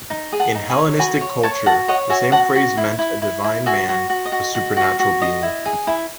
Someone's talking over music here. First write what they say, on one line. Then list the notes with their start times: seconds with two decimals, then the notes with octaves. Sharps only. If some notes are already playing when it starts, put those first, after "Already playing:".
In Hellenistic culture the same phrase meant a "divine man", a supernatural being.
0.10 D#4
0.32 G#4
0.40 F#5 A5
0.55 D#4
0.70 G#5 B5
0.78 C#5
0.99 F#4 G#5 B5
1.21 C#5
1.43 C#5 A5 C#6
1.66 F#4 F#5 A5
1.88 C#5 D#5 F#5
2.10 F#4 E5 G#5
2.32 F#4 F#5 A5
2.55 F#4
2.77 E4
2.99 E4
3.22 E4
3.44 E4
3.66 F#4 E5 G#5
3.89 F#4
4.10 F#4
4.25 D#5
4.32 F#4
4.55 F#4
4.77 F#4
4.99 F#4
5.22 D#5
5.43 E4
5.66 G#4
5.87 E4